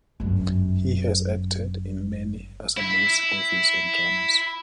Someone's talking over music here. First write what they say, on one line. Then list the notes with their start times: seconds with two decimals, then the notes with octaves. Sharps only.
He has acted in many Assamese movies and dramas.
0.20 G1 F#2
2.77 E4 E5